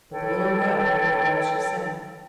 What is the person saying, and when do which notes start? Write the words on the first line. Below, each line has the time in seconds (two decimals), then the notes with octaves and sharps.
But the little Grub had heard all she said.
0.10 A4 B4 C#5 G5